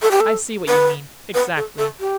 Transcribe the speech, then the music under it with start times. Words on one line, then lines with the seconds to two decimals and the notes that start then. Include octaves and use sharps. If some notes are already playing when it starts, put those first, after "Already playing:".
I see what you mean, exactly.
0.02 A4
0.11 G4
0.20 A4
0.68 B4
1.34 B4
1.56 A4
1.78 A4
2.00 G4